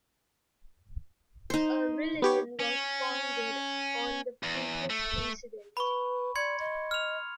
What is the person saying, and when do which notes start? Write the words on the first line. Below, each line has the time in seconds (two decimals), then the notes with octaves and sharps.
A religion was founded on the freakish incident.
1.50 D#4 C5
2.22 B3 G4 C#5
2.60 C#4
4.43 E2
4.90 A3
5.77 B4 B5 C#6
6.35 D5 C6 G#6 C#7
6.59 D#5
6.91 F6 F7